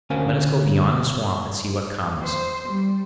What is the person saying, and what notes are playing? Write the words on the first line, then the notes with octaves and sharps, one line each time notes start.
Let us go beyond the swamp and see what comes.
D2 C#4 A#4 C5 F5 G#5
C5
G3